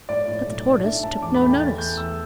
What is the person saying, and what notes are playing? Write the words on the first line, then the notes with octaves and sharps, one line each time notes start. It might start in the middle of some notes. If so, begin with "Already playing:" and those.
But the tortoise took no notice.
A2 D5
A2
B1
A3
D4 E5
A2 A5
E2 D6
B5
A3
G5
E2 A6
A3 G6
E2 E6